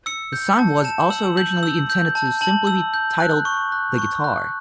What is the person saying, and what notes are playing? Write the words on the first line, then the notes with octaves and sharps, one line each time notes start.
The song was also originally intended to simply be titled "The Guitar".
E6 C#7
G6
A5
A5 E7
E6 F#7
G6 F#7
E6
G6
A5
A5 F#7
E6
G6
F#6
C#6
F#6
C#6
F#6